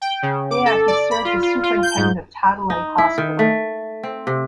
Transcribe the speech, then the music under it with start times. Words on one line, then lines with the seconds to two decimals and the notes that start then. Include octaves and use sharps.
There, he served as Superintendent of Tadalay Hospital.
0.02 G5
0.23 C#3
0.51 D6
0.66 A4
0.88 D5
1.11 B5
1.25 F4
1.43 F4
1.63 F4
1.83 G6
1.97 G#2
2.70 D#4
2.98 E4
3.18 D#3
3.39 A3
4.03 C4
4.27 C3